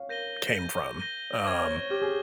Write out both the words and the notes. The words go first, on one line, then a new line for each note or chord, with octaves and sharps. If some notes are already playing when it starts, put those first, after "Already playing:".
came from. Um.
Already playing: C#5 F5
A#4 G6 A#6 D#7 G7
G6 A#6 D#7 G7
G6 A#6 D#7 G7
C5 C#6 F6 G#6
C#5
C#5
G4 C#6 F6 G#6
G#4